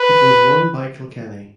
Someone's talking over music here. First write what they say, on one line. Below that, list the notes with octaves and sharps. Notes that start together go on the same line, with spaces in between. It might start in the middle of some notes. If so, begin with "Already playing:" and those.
It was won by Kilkenny.
Already playing: B4